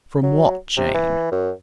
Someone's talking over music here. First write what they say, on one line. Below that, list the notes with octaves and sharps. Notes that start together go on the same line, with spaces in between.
"From what, Jane?"
F#3
C3
E3
F#2